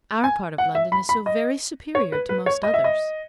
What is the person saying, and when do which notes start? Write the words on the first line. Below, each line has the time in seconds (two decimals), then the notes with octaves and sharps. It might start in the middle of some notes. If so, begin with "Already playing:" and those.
Our part of London is so very superior to most others.
0.24 G#5
0.58 F#5
0.75 E5
0.92 B5
1.09 B5
1.26 D#5
1.95 C#5
2.12 B4
2.29 B4
2.46 C#5
2.63 D#5
2.74 E5
2.84 D#5